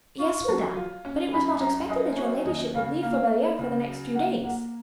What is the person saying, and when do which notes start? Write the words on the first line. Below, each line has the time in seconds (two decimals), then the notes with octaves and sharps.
"Yes, madame; but it was not expected that your ladyship would leave for Belliere for the next few days."
0.19 F4 C#6
0.49 F#3
0.76 F4
1.05 C#4
1.33 F#2 B5
1.60 F#2 A#5
1.89 F#2 D#5
2.17 F#3 C#5
2.45 D#2 D#5
2.75 C#3 F5
3.02 A#3 F5
3.31 A#3
3.59 C#3
3.87 F#3
4.15 A#3 F#5
4.44 A#3 F#5